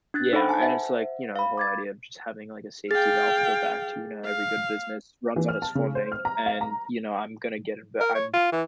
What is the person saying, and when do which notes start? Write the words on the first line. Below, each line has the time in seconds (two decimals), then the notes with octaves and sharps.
Yeah, and it's like, you know, the whole idea of just having, like, a safety valve to go back to, you know, every good business runs on its funding and, you know, I'm gonna get it I'm
0.14 D4 F#6 A6
0.33 D#4 A4 C5 F#5 B5
0.49 G#5 A5
0.61 C5 E5 F#5
1.36 F5 B5
1.57 D6 G#6 A6
2.91 G#4 F5 G5 A6
4.25 F5
5.36 E3
5.48 F6
5.62 A5
5.75 C#3
5.95 C5
6.12 F6
6.25 A#5
6.46 F5
6.61 A#5
8.00 A#4
8.15 C#5
8.33 F4
8.52 E3